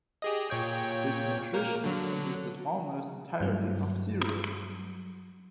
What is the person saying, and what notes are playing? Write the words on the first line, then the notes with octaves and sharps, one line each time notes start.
His nutrition consisted almost entirely of cereals.
G4 G#4 D#5
A#2 C#5 G5
A#3 A#4
D3 F#3
G2 F#3